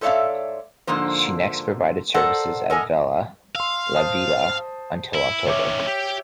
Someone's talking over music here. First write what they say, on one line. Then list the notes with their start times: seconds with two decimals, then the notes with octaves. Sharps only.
She next provided services at Vella Lavella until October.
0.01 G#2 A4 C#5 D5 E5 F5
0.87 G#2 D3 F3 A#3 C5
2.14 A4 A#4 C5 D5 F#5
2.70 A4 A#4 D#5 G#5
3.56 F5 C6 E6
3.95 C5 A5 D#6
5.14 E4
5.47 D#3 C#4 C#5 E5 D6
5.87 G4